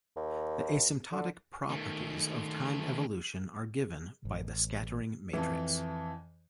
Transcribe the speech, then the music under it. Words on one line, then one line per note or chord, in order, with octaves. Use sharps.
The asymptotic properties of time evolution are given by the scattering matrix.
D#2
D3
D#3 A3
A1
F2 E3